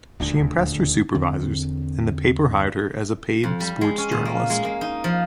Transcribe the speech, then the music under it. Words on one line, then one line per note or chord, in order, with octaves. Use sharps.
She impressed her supervisors, and the paper hired her as a paid sports journalist.
D#1 D2 D3
E2 D3 C4
F2
G3
G#3
C#4
A#2
A#3
G#3
A#3
D#4
F3